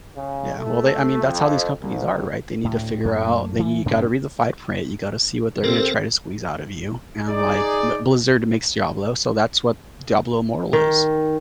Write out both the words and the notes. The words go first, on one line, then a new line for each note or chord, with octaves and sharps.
Yeah, well, they I mean, that's how these companies are, right? They need to figure out that You gotta read the fine print. You gotta see what they're gonna try to squeeze out of you, and, like, B Blizzard to makes Diablo, so that's what Diablo Immortal is,
C#3
A3
F2
C2
D2 A2
F#2 A3 A#3
E3
G2 C#3 C4 D4
C3 C4 A4 A#4
D#4 G#4 D5
D#3